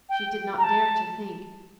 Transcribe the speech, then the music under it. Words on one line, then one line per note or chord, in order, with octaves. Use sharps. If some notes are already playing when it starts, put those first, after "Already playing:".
She did not dare to think.
G5
A#5
A5